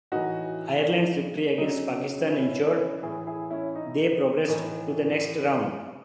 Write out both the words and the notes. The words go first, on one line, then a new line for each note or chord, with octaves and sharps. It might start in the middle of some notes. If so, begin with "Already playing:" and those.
Ireland's victory against Pakistan ensured they progressed to the next round.
A2 E3 D#4 F#4
C#4
D#4
C#3 F#3 D#4
C#4 E4
C#4 E4
A2 E3 E4 G#4
E4 G#4
C#4 E4
D#4
A2 E3 D#4